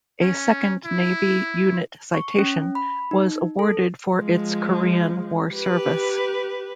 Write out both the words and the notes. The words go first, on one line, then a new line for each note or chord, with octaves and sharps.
A second Navy Unit citation was awarded for its Korean War service.
C#4
E4
C#6
C#4
B5
D#4
A4
F3 G#3
G4 B4